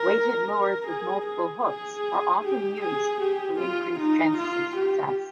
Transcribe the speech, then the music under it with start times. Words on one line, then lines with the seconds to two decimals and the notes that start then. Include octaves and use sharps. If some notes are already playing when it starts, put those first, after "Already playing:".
Weighted lures with multiple hooks are often used to increase chances of success.
Already playing: A#4
0.48 A#4
0.88 G#4
1.27 G#4
1.65 G#4
2.44 G4
2.82 G#4
3.21 G4
3.60 F4
4.00 D#4
4.38 F4
4.77 G4